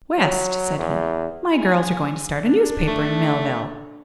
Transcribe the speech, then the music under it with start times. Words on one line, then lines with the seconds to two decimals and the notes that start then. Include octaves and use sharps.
"West," said he, "my girls are going to start a newspaper in Millville."
0.18 F#3
0.78 E2
1.53 G#4
2.44 D4
2.88 A3